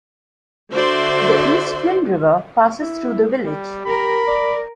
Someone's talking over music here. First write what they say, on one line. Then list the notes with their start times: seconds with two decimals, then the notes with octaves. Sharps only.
The East Twin River passes through the village.
0.72 D3 F#4 C5 D5 E5 C6
2.81 E4
3.46 G3 G4
3.86 A#4 B5
4.27 D5